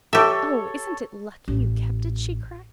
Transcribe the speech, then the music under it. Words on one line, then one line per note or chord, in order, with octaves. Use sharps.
"Oh, isn't it lucky you kept it?" she cried.
G4 A4 C#5 E5
A1